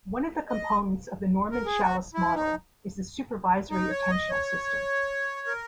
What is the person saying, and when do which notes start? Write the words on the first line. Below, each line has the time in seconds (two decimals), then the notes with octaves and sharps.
One of the components of the Norman-Shallice model is the supervisory attentional system.
0.49 D#5
1.51 A#4
1.66 G#4
1.81 F#4
2.14 E4
2.35 D#4
3.71 D#4
3.90 C#5
4.10 D#5
4.30 C#5
5.47 A#4